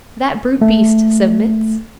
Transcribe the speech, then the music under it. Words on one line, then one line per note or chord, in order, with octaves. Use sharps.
That brute beast submits.
A3